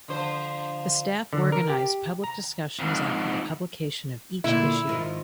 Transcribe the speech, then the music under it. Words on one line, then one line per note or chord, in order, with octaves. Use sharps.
The staff organized public discussions after the publication of each issue.
D3 F3 C5
D3
A#4
G4
A#5
F2 G#2
A#2 D3 E4
G#2 D#3 F3